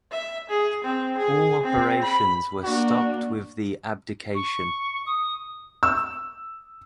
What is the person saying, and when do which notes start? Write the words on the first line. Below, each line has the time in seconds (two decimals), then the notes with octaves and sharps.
All operations were stopped with the abdication.
0.12 E5
0.49 G#4
0.84 C4
1.18 G#4
1.63 C4
2.02 B5
2.64 A#3 D4 F#4
4.35 C#6
5.06 D#6
5.83 E6